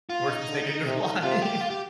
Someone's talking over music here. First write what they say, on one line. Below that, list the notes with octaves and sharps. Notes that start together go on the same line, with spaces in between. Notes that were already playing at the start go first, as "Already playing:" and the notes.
Worst mistake of your life.
F4
D#4
D3
C3
C3 F4
G4
F4
G4